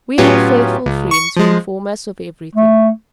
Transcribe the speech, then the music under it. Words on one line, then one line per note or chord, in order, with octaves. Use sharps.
"We have faithful friends, who inform us of everything."
A2 F#3 B3 C#4 F4 G4
C#2
C#6 C#7
F3 G#3
A3